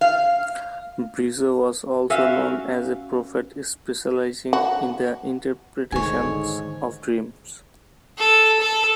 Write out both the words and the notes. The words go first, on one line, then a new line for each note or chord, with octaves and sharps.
Brizo was also known as a prophet specializing in the interpretation of dreams.
F5
C#4 F#4 E5 F5
F#4
G#2 D3 D#3 A3 C#5 G#5
A4
A4